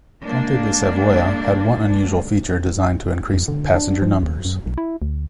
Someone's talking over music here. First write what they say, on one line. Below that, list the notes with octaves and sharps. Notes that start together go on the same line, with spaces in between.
"Conte di Savoia" had one unusual feature designed to increase passenger numbers.
G#3 A#3 D4
F2
D3
D4
F3
D#2
F#2
B1
E4
D2